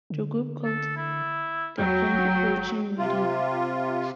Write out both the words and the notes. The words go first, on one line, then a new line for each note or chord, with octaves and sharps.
The group called the plan Operation Wedding.
D3
A4
E4
E2 F#3 G5
G1
C3 F4